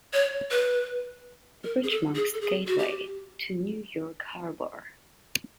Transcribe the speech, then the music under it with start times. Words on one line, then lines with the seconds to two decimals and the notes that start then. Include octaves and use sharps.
The bridge marks the gateway to New York Harbor.
0.13 C#5
0.51 B4
1.64 A#4
1.84 G#4
1.90 A4
2.15 G#4
2.34 A4
2.41 G#4
2.67 F#4
2.78 G4